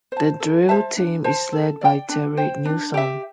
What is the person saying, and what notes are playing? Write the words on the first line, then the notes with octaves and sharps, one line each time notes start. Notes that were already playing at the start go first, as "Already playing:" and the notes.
The Drill Team is led by Terry Newsome.
C5 A5
A4
C5 E5 A5
D4
C5 A5
A4
D5 G5
D4
C5 G5
D4
G4 E5